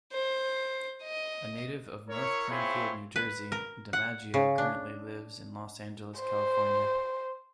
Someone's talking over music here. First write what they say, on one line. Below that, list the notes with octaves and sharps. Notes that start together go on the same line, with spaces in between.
A native of North Plainfield, New Jersey, DiMaggio currently lives in Los Angeles, California.
C5
D#5
E4 A#4 C#5
C4 E4 F4 G#4 C#5
B4
A#4
F#5
C#3
D4
C5